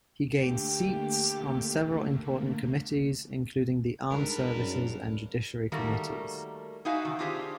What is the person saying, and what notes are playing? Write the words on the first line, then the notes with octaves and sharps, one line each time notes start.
He gained seats on several important committees, including the Armed Services and Judiciary Committees.
D3 A3 A#3 G4
G#2 G3 G#3 D4 A#4 B4
F#2
D#3 G3 A3 A#3 F#4 A#4
D#4 E4 F#4 F5 G#5
C3 D#3
C4 D4 F4 G4 G#4 C5